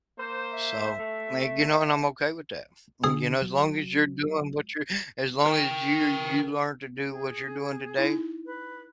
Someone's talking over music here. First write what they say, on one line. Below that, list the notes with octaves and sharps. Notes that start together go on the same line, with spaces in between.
So, may you know, and I'm okay with that. You know, as long as you're doing what you're as long as you're you learn to do what you're doing today,
A#3 C5
E5
A3
D3 G#4
F#3
A#4 G5
G#4
D#4 E4
B4